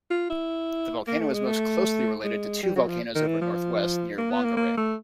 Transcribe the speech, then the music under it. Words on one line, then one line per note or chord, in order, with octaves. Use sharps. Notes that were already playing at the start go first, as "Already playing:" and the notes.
The volcano is most closely related to two volcanoes over northwest, near Whangarei.
F4
E4
A#3
A3
G#3
A3
G#3
G3
F#3
F3
D#3
E3
F3
A#3
B3
A#3
A#3
A3